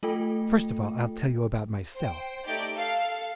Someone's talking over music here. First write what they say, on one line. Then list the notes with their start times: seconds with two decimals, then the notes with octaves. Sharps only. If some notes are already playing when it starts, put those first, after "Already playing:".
First of all I'll tell you about myself.
0.03 A3 F4 A4 G5
1.95 C5 G5
2.44 A3 D#4 G4 D5 G6 D7
2.74 A4 F5